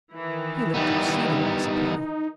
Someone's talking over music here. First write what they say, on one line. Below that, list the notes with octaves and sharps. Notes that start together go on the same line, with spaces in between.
He looked exceedingly surprised.
D#3 E3
G3 B3 D#4